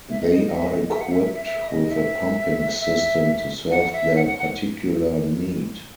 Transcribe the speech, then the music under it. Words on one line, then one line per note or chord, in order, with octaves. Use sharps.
They are equipped with a pumping system to serve their particular need.
E5
D#5
D#5
D#5
E5
D#5
E5
D#5
E5
F#5
E5
E5
E5
E5
D#5
E5
E5
F#5
E5
F#5
F#5
F#5